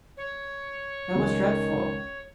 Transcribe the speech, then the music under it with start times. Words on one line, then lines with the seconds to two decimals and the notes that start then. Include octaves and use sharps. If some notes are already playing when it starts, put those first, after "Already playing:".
That was dreadful.
0.17 C#5
1.15 C#2 D#3 C#4